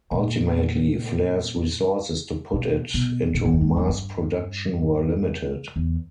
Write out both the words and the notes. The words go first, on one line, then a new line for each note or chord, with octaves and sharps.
Ultimately, Flare's resources to put it into mass production were limited.
A#2
B2
B2
A#2
E2
G2
G#2
E2
G2
E2